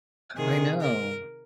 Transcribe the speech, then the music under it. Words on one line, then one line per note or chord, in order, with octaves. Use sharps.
I know.
C3 D#3 G#4
A#4